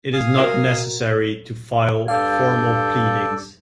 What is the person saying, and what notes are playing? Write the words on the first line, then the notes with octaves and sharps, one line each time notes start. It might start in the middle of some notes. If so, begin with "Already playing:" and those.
It is not necessary to file formal pleadings.
F5 G#5 D#6
F#4 A#4 E5
G2 A4 D5 F5 G6